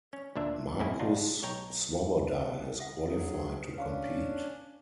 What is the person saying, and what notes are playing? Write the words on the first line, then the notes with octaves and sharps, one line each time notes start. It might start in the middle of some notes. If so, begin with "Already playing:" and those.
Markus Swoboda has qualified to compete.
C#4
D2 A#2 D4 E5
F#2 C#3 C4 D#4 E4 G#5
D4 D#4 F4
B1 C#5 G5 A#5
A4 E5 F#5
G2 F#3 G#4
C#4 D4 B4 F5